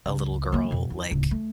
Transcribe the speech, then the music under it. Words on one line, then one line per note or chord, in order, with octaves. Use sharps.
a little girl?" Like
C#2
F3 A#3
F2 B2
E2
D1 C#2
A3